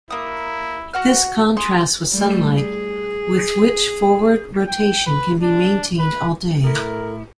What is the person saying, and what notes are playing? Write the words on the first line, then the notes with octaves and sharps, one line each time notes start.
This contrasts with sunlight, with which forward rotation can be maintained all day.
A#3 E4 D#6
F#4 F#5 F6
G#4 C6 C#6
G3 A3
G#4
G5
B4
D4
B4
A2 E4 A4 A#4